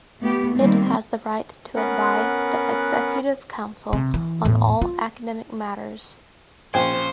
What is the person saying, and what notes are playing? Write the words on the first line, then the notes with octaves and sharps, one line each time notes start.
It has the right to advise the executive council on all academic matters.
A3 B3 G4
D#3 G3 A#3 C4
B3 C#4 A#4 B4 F#5
C3
E3
E2 A2
F4
A#1 C#4 C5 G5 G#5